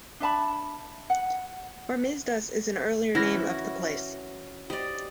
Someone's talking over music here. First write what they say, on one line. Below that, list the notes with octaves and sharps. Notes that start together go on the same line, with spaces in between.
Hormisdas is an earlier name of the place.
D4 E5 A5 B5
F#5
E3 C#4 E4 F#4 C6 A#6
G4 C5 D5 D#5